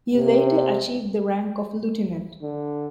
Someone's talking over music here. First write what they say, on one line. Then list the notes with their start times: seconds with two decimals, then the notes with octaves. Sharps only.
He later achieved the rank of lieutenant.
0.15 C3
2.42 D3